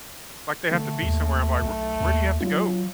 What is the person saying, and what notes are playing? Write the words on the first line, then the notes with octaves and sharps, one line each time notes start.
like, they have to be somewhere, I'm, like, "Wher where do you have to go?"
D3 A3
D#2
B1
D#2
F#3 F4